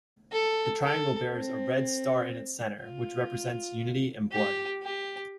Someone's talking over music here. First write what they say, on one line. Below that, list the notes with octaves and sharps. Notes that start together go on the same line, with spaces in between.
The triangle bears a red star in its centre, which represents unity and blood.
A4
A4
C4
F4
G4
G4